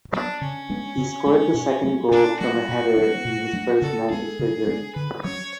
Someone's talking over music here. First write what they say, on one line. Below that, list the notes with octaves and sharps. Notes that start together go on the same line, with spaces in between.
He scored the second goal from a header in his first Manchester derby.
F#3 B3 D4
C#3 C#4
G#3 B3 D4
C#3
G#3 B3 D4
B2
F#3 A3
B2 D4
F#3 A3 F#4
B2
F#3 A3 D4
B2
F#3 A3 D4
C#3 A4
G#3 B3 D4 G#4
C#3
G#3 B3 D4
D3 B4
F#3 C#4 C#5